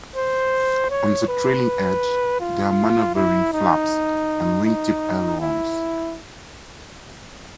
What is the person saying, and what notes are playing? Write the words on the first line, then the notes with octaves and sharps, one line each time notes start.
On the trailing edge, there are maneuvering flaps and wingtip ailerons.
C5
C#5
B4
F4
E4
D#4
D#4
E4